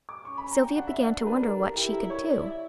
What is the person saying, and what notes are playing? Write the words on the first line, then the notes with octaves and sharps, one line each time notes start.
Sylvia began to wonder what she could do.
D6
C#4 C#6
B5
A#5
G5
D4 F#5
E5
F#5
A#4
D4 B4
A#4
A#4
E4 G4
A#4
C#5
E4 D5
E5